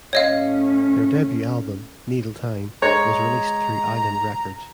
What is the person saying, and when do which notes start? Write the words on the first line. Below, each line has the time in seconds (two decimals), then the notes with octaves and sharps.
Their debut album "Needle Time" was released through Island Records.
0.13 A2 C#4 C#5 D#5 F5
2.82 G#3 C#5 A#5